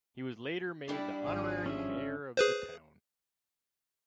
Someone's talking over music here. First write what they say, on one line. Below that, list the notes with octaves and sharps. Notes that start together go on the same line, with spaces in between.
He was later made the honorary mayor of the town.
G3 D4 E4 D5
G#1 F3 G#4
C#4 E5
G#4 B4 C5